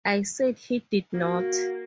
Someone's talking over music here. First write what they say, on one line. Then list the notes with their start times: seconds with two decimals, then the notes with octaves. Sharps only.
I said he did not.
1.14 A#3 F#4